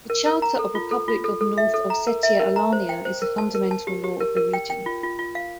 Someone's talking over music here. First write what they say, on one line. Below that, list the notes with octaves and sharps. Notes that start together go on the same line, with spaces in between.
The Charter of Republic of North Ossetia-Alania is the fundamental law of the region.
A#4
A#4
A#5
A4
F4
A4
F4
A4
A4
E5
A4
A#5
A#4
E5
A#4
A#5
C5
G5
C5
A#4
A5
A#4
A5
G4
G4
A#4
A#4
G5
G5
F4
F4
F4
F5